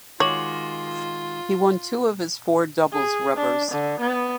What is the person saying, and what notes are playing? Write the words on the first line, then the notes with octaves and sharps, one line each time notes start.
He won two of his four doubles rubbers.
D#3 G#3 F4 F#4 C#5 D6 F#7
G#4
D4
D3
B3